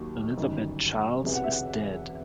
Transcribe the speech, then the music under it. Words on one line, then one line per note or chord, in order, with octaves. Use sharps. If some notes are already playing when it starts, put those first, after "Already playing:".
Elizabeth Charles is dead.
Already playing: D#2 D#3 F#3
G1 F#2 D#3
E1 E2 C3 E3
F#5
E5
F#5